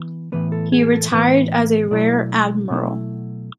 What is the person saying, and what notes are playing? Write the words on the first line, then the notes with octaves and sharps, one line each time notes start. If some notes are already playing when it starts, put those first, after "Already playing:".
He retired as a rear admiral.
Already playing: E3 B3
A2 E3 B3 B4
A4
G#4
A4
A2 E3 B3 B4
B2 F#3 A3 E4 D5
B2 F#3 A3 E4